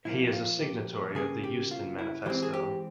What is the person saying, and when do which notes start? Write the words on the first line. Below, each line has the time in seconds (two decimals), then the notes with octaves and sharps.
He is a signatory of the Euston Manifesto.
0.05 A#2 F3 A#3 E4
0.27 G4
0.33 F4
0.60 G4
1.15 C#3 G3 A#3 G#4
1.44 G4
1.71 F4
1.99 E4
2.26 E3 G#3 C4 G4
2.43 G#4
2.53 G4